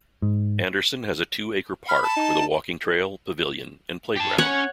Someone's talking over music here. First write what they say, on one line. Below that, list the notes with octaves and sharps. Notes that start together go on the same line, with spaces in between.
Anderson has a two-acre park with a walking trail, pavilion, and play ground.
G#2
B5 F6
A5
D#4
G4 A5
C#4 C#5 F#5